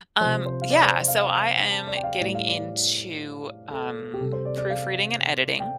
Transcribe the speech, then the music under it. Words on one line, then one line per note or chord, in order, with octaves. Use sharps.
Um, yeah, so, I am getting into, um, proofreading and editing,
C3 F3 C5
C5
F5
D5
C5
F5
F5
A5
D5
G5
F5
A2 G3 D5
F5
D5
A4
G4
C3 G3 A4
C5
D5
D5
F5
G5